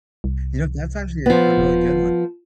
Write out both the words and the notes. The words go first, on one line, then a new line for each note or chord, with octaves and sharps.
You know, that's actually, uh, a really good one.
C2
F3 B3
D#1